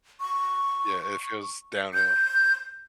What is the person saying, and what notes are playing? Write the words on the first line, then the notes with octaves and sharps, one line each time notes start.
Yeah, it feels downhill,
C#6
G6